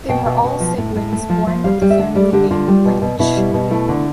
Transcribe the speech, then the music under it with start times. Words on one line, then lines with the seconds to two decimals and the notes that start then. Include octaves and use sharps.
They were all siblings born with the family name Lynch.
0.09 B2 G5
0.26 B2
0.44 B2
0.60 F3
0.78 A2
0.96 A2
1.12 A3
1.29 F3
1.47 F3
1.64 G3 F5
1.82 G3
1.90 E5
1.99 D3
2.15 G3 D5
2.33 D3 G4
2.51 D3 F4
2.68 G3
2.85 B2
3.02 B2
3.19 B2 E4
3.37 G3
3.54 B2
3.71 A3 E4
3.88 D3